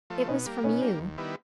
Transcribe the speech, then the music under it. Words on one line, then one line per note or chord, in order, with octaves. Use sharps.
It was from you!
F3 A3
B2 C#4 D#4
G3 A#3
B2 C#4 D#4
G3 A#3
D#2
D#3 G3 B3 E4